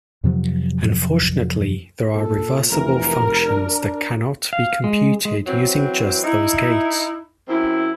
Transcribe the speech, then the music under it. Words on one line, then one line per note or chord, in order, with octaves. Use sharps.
Unfortunately, there are reversible functions that cannot be computed using just those gates.
F2 C3 F3 F#3
A#2 A4
F1 E3 A#4
D4
F5
G#3
G#3
E3 F#3 C4
D#4 E4
F#2 C4 E4